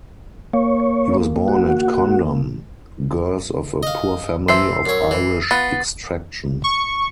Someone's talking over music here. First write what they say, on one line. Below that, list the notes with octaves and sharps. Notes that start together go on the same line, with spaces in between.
He was born at Condom, Gers of a poor family of Irish extraction.
A#3 C#5
F#4
D#5 F5
E3 A4 C5 E5 C7
F#2 C#5
E3
B3 F4 A6
C#6